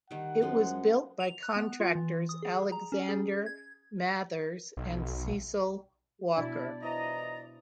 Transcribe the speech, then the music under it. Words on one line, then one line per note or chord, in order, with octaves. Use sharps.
It was built by contractors Alexander Mathers and Cecil Walker.
D#3 G3 F#5
F#2 F3 G#3 G#4
F7
F#6
B3
F4
E3
D#6
G#4
A#5
C#4
G#4
G#6
B1
B2 D4 E4 D5
E3 F3 E4 D#5 A#5